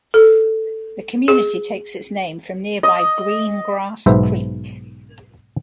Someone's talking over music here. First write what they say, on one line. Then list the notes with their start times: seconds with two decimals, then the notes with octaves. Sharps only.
The community takes its name from nearby Green Grass Creek.
0.14 A4
1.28 G#4
2.83 D#5
4.06 B1 G#2 B3 C5 E5